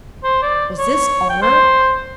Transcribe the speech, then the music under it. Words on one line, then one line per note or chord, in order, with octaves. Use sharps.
Was this honor?
C5
D5
C#5
G5
C5